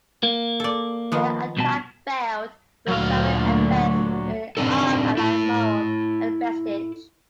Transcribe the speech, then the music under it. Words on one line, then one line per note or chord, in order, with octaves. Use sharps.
The attack failed, with severe effects on Allied morale and prestige.
A#3
A4 D5
D#3 F3 B3
C2 B2 A5
D2 A#2 D3 F#3 F5
C4 D4 D#4 A4
E4 A4